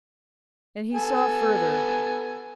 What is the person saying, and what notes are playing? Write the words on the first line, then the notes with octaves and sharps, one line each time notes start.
And he saw further.
B3 A4 G#5